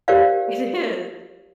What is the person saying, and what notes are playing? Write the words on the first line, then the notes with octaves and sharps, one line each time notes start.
It is.
G4 A#4 C5 D5 F5